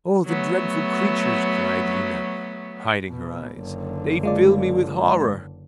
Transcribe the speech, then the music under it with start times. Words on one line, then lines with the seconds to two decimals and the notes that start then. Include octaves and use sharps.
"Oh, the dreadful creatures!" cried Lina, hiding her eyes; "they fill me with horror!"
0.25 F#3 A3 B3
3.09 B2
3.53 F#1 D3
4.23 G#3 F4 D5